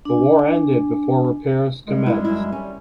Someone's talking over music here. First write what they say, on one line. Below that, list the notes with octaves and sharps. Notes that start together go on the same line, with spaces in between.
The war ended before repairs commenced.
D4 G#5
D#3 G3 G#3
D4 E4
F#2 E4
G3 C#4